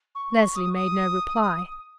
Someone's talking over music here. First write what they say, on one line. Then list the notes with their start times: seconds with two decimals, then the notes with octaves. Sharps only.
Leslie made no reply.
0.15 C#6
0.35 C#6
0.55 D#6
0.75 D#6